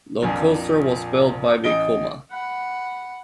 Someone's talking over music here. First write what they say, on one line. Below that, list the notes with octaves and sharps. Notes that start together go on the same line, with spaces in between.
The coaster was built by Vekoma.
A#1 F2 A#2
A1 D#5 D7 G7
F#5 B5